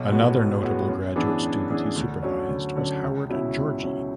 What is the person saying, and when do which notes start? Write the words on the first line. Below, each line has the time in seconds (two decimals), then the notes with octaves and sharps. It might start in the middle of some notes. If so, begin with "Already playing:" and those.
Another notable graduate student he supervised was Howard Georgi.
Already playing: B1
0.09 A2 G#3 B3 F#4
0.36 B1
0.62 A2 G#3 B3 F#4
0.89 F#2
1.16 E3 B3 D4 G#4
1.42 F#2
1.69 E3 B3 D4 G#4
1.96 D2
2.23 D3 F#3 C#4
2.49 D2
2.76 D3 F#3 C#4
3.03 C#2
3.29 B2 F#3 C#4 E4
3.56 C#2
3.83 B2 F#3 C#4 E4